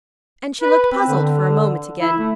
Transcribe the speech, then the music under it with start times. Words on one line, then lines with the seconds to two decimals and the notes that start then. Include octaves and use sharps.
And she looked puzzled for a moment again.
0.61 B4
0.92 C4
1.08 D3
2.01 E4
2.19 A3